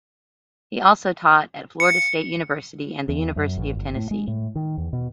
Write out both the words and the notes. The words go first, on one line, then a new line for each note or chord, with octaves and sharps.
He also taught at Florida State University and the University of Tennessee.
C#7
E2
F#2
A1
G1
A2
G#3
A2
D#3
E2
B2